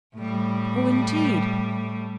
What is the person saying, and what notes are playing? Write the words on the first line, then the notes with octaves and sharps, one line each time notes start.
'Oh, indeed!
A2 G3